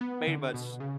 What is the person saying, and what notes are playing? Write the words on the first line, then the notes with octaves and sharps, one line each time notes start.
pretty much
B3
D3
B2
C#3